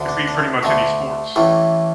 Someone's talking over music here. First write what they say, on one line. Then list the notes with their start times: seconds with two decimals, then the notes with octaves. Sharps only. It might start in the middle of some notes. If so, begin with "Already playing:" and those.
Could be pretty much any sports.
Already playing: D2 D3
0.09 D4
0.28 D4
0.63 D2 D3 A3
1.36 A1 A2 E3 A3